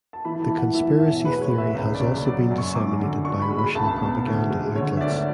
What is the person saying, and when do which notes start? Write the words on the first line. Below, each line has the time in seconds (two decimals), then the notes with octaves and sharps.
The conspiracy theory has also been disseminated by Russian propaganda outlets.
0.13 A5
0.25 E3 B5
0.42 A5
0.50 E3
0.58 F#5
0.74 E3 E5
0.99 E1 E5
1.25 G#3 B4
1.42 C#5
1.50 G#3
1.58 E5
1.75 C#2
1.95 D5
2.00 C#3 C#5
2.25 F#3 D5
2.51 F#2
2.58 C#6
2.75 F#2 D6
3.00 D3
3.25 D4 C#6
3.42 B5
3.51 G#3
3.59 B5
3.75 C#2 A5
4.00 B2
4.26 D2
4.50 G#3
4.76 D3 C#5
4.97 E5
5.01 D2 D5